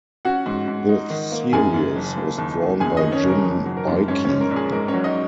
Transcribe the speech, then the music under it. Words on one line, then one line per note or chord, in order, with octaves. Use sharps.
The series was drawn by Jim Baikie.
C#4 F#4 F#5
G#2
G#2
D#4
D#3
A#3
F#2 G#4 G#5
F#2
F#1
A#3
D#2
D#3
F#2 G#4 G#5
D#3 D#4 D#5
C#4 C#5
F#1 A#4
F#1
F#3
A#4
F#2
G#2 C#4 C#5
G#2 C#4 C#5
A#4
A#1
G#4
G#2 A#4
C#4 C#5
F#3
D#4 D#5